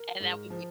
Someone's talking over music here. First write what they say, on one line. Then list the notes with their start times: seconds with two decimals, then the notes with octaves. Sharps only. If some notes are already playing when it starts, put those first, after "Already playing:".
And that would be
Already playing: A#4
0.20 G#2
0.50 F3